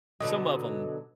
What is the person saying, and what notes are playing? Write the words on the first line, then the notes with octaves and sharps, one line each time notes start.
some of 'em
B2 D3 F#3 D#5